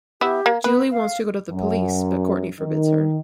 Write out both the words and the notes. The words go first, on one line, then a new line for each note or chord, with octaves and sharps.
Julie wants to go to the police, but Courtney forbids her.
B3 E4 G4 E5
A#3
B3 B4
F5
F#2
D#3